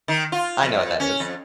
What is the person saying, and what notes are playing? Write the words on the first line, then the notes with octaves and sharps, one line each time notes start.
I know what that is.
D#3
F4
F2
C#4
F2